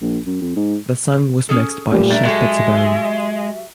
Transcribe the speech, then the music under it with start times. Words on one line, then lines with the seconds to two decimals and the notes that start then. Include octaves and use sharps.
The song was mixed by Shep Pettibone.
0.02 A#1
0.26 F#2
0.42 F2
0.56 G#2
1.49 C#4 G#4 A4
1.92 A#2 G3 A3
2.11 A3 D4 A#4 E5 A6
2.25 F#3 G#3 G4 A4